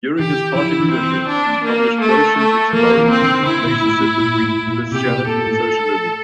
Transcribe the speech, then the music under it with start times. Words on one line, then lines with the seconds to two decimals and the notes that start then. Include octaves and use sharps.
During his party leadership, he published brochures exploring the relationship between Christianity and socialism.
0.19 E3 G4
0.55 F3 E4
0.80 E3
0.91 C4
1.03 E3
1.28 D4
1.64 A#3
2.01 A3
2.37 A3
2.73 F3 A#3
2.97 E3
3.10 C4
3.22 D3
3.46 D3 E4
3.65 A#2
3.83 A2
4.01 A2
4.19 A#2
4.42 A2
4.67 A#2
4.92 C3 G4
5.09 A#2
5.27 A#2 A4
5.47 A2